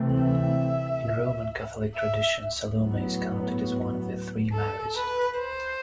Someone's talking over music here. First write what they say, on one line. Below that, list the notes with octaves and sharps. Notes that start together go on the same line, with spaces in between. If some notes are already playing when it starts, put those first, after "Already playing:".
In Roman Catholic tradition Salome is counted as one of the Three Marys.
Already playing: C3 E3 A3 C4
E5
E5
A2 F#3 B3
A4
B4
C5